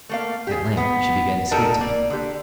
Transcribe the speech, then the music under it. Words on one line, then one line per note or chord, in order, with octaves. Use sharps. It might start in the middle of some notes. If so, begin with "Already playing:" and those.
At length she began to speak to me.
A3 A#3 F5
G4 G#4
B3
F#3 G3 D#4 A4 A#4 A5
A#3 D5
D3 G4